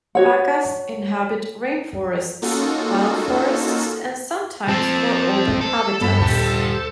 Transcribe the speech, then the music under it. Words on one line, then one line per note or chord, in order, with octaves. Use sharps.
Pacas inhabit rainforests, cloud forests, and sometimes more open habitats.
F#4 C#5 F#5
A#3 C#4 D#4 F4 F#4 A4
F3 C4 C5 A5
A4
G2 B3 B5
D#2 A#2 D3 G3 G4 C5